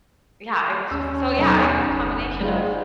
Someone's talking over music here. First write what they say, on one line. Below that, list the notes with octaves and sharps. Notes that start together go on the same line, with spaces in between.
yeah, it was just so yeah, it was a combination of
D#2 C#4 A5 E6
B1 F#2 B2
F#1
G#2 G3 G#3 F4 G#4